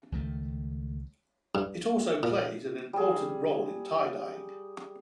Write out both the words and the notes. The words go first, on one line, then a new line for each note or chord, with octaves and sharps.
It also played an important role in tie-dyeing.
C#2 D#3 A3
G2
A#2
G3 G#4